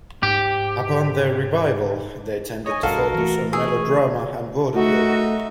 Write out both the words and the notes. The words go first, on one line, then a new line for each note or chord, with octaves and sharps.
Upon their revival, they tended to focus on melodrama and vaudeville.
G#2 G4
C#5 D#5 G#5
B1 G2 F#4 A4 A#4 F5
E3 A3
G#4 C#5 E6
A3 D#4 F#4 E5